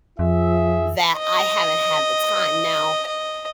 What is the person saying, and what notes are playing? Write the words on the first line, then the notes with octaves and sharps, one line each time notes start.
that I haven't had the time. Now
F2 F3 F4 G#4 E5
D#5
D#5